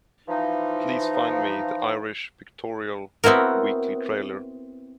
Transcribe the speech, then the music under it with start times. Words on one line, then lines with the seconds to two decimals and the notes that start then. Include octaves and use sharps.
Please find me the Irish Pictorial Weekly trailer.
0.28 E3 F3 D#4
3.24 B3 C4 E4 F#4 A#4